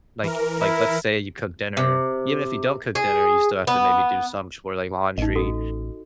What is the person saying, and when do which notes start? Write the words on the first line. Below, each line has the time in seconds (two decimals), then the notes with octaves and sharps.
like like, let's say you cook dinner, even if you don't cook dinner, you still have to maybe do some chore like laundry
0.23 E3 A#4
0.60 E4
1.77 C3
2.95 G#4
3.67 B3
5.18 A1 D#4 D#5
5.36 F#4 A4